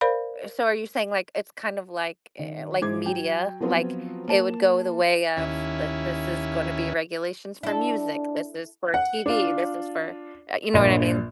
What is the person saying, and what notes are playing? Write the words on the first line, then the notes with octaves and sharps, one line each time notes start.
eh, so are you saying, like, it's kind of like eh, like media, like, it would go the way of, "Th this is gonna be regulations for music, this is for TV, this is for" Uh, you know what I mean?
A#4 C5 D5 F5 B5
D#3
G#2 E3 G#4 C5 D6 G#6
F#3 G5
F3 F#3 B3 C4 F4
A#3 A5 E7
D#2 C#4 E4
D4 E4 A4
F#5
D4 F4
A#1 G2 A#2